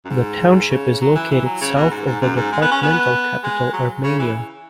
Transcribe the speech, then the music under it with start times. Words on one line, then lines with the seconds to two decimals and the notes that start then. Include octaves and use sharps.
The township is located south of the departmental capital Armenia.
0.05 F#2
0.10 G#2
0.70 C#3
1.01 F#3
1.15 E3
1.31 E3
1.45 F#3
1.61 C#3
1.76 B2
1.91 G#2
2.07 G#2
2.21 F#2
2.36 G#2
2.52 G#3
2.62 B3
2.71 C#4
2.83 B3
3.43 G#3
3.73 F#3
4.03 C#3
4.19 E3